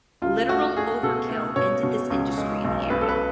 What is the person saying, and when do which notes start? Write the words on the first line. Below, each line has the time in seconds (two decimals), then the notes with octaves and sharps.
Literal overkill ended this industry in the area.
0.22 C#2 F4
0.49 A3 F#4
0.76 A3 G#4
1.03 B2 A4
1.30 A3
1.56 B2 C#5
1.83 B2
2.10 C#2
2.38 G#3
2.65 B1
2.90 B1 B4
3.01 A4
3.09 B4